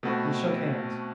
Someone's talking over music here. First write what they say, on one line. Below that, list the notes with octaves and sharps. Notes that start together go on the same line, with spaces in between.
They shook hands.
B2 A3 C4 F#4 B4